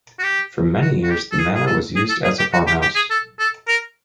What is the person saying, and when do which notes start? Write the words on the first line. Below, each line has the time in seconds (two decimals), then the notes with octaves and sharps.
For many years the manor was used as a farmhouse.
0.19 F#4
0.24 G4
0.81 F#4
1.03 F#4
1.10 G4
1.32 A4
1.39 G#4
1.55 G#4
1.67 A4
1.96 G#4
2.10 A4
2.24 G#4
2.39 G4
2.53 F#4
2.67 G4
2.82 G4
2.96 G#4
3.10 A4
3.39 A4
3.68 A#4